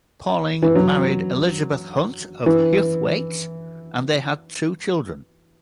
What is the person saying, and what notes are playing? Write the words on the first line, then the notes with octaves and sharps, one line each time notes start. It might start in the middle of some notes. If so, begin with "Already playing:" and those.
Paling married Elizabeth Hunt of Huthwaite, and they had two children.
E3
F#3
E3